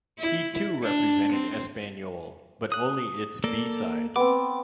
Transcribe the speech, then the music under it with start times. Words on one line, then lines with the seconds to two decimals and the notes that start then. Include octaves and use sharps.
He too represented Espanyol, but only its B-side.
0.19 E4
0.83 D4
1.33 C4
2.72 D#6 F#6
3.44 A#3 A4 D5
4.16 B3 C4 D6